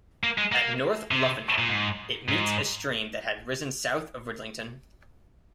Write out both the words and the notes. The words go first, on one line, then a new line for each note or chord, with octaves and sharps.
At North Luffenham, it meets a stream that had risen south of Ridlington.
A#3
G#3
A#3
C3
A#2
G#2
G#2